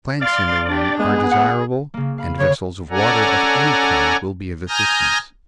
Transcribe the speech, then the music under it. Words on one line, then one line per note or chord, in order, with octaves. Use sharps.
Plants in the room are desirable and vessels of water of any kind will be of assistance.
D5 F5 C6
D4 G4
G#3 B3 G#4
F#5
C#3 A#3
F5 B5
D3 C#5
C#4 A4 D5 F#5 G#5 A#5
G#5 A#5 D#6 F6 G6 A#6